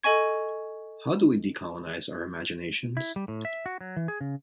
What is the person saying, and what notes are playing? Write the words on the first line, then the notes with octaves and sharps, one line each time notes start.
How do we decolonize our imaginations?
A4 D#5 G#5 C#6 G#6
E4
G3
A2
E5
F#4
F#3
E3
G#4
C#3